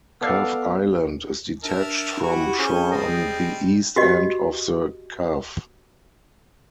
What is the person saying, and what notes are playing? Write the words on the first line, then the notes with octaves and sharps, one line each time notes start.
Cove Island is detached from shore on the East end of the Cove.
B3 A4 D5 F5
D4 A#4 E5 A5
E4 F#4 G4 C#6
C#4 G#4 C5 C#5 G#5
G3 C4 D#5
F#4 G4 D#5